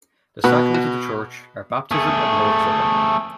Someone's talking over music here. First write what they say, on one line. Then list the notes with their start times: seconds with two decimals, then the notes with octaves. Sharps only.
The sacraments of the church are baptism and the Lord's Supper.
0.44 B2 F#4 B4
0.74 F#4
1.91 A3 G#4